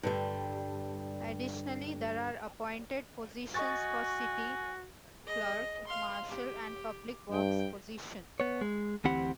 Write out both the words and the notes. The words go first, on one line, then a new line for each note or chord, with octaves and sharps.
Additionally, there are appointed positions for City Clerk, Marshall, and Public Works positions.
G2 D3 G3
F#4 D#5 G#5 C#6 A6
G#4 D#5
F5 C6
G4
G2 G5
B3 C#5
G#3
D2 E3 C4 G4 F#5 B5